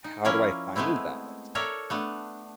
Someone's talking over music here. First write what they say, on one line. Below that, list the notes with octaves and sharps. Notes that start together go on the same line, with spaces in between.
"How do I find that?"
D#4
F3 C#4 E4 A#4 D5
G#3 A3 B3 C4 E4
A4 A#4 C#5 D5 E5
A3 B3 D4